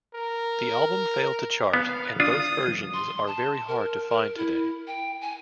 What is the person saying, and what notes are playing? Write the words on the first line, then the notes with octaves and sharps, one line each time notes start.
The album failed to chart, and both versions are very hard to find today.
A#4
B3 F5
D4 F4 D#6
C6
A5
A#4
A#4
E4
G5
G#5